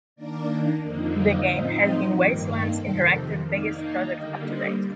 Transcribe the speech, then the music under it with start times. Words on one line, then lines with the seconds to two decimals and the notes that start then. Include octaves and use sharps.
The game has been Wastelands Interactive biggest project up to date.
0.16 D#3 A#3 D4 A#4 D5
0.82 F2 D3 F3 A#3 D#4
1.15 D5 F5
1.48 A2 F3 C4 D#4 C5 D#5
1.81 C5 D#5
2.14 G2 D#3 A#3 G4
2.48 A4
2.80 F2 C3 D#3 A4 C5
3.47 D#3 A#3 D#4 D5 F5
3.80 F5 A5
4.13 D3 G3 A#3 D#5 G5
4.46 C5 D#5